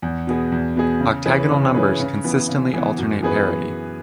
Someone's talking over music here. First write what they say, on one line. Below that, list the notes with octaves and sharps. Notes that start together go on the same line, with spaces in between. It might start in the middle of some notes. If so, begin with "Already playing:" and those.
Octagonal numbers consistently alternate parity.
E2
B2 B3 G#4
E2
B2 B3 G#4
C#3
E3 C#4 G#4 B4
C#3
E3 C#4 G#4 B4
C#3
E3 B3
C#3
E3 B3
F#2
E3 B3 G#4 B4